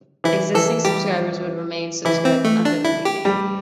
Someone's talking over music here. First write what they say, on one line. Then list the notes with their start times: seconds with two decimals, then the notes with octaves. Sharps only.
Existing subscribers would remain subscribed under the new name.
0.24 E3 E4
0.55 E3 A4
0.85 G3 G4
2.05 E3 E4
2.25 C4
2.44 A3
2.65 D4
2.85 E4
3.05 G4
3.25 G3